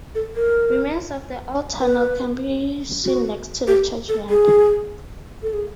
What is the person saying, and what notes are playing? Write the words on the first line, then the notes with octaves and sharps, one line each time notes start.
Remains of the old tunnel can be seen next to the churchyard.
A4
A#4
B4
F#4
G4
A4
G#4
A4
G#4